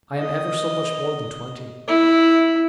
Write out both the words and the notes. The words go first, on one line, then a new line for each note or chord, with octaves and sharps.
I am ever so much more than twenty.
D#5
E4